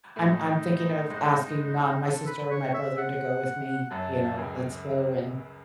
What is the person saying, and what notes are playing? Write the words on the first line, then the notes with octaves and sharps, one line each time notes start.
I'm I'm thinking of asking, um, my sister or my brother to go with me, you know, let's go and
A2 A3 D#4
G#2 G#3
A4
B4
C#5
E5
F#5
F#2 F#3 A5
A5
C#2 C#3 G#5